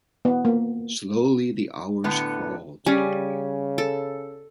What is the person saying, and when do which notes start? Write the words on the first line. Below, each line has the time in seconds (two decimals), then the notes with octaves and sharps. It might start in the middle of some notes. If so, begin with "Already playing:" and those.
Slowly the hours crawled.
0.25 B3
0.45 A#3
2.04 A2 D3 B3
2.86 C#3 G3 C#4 G#5
3.78 A4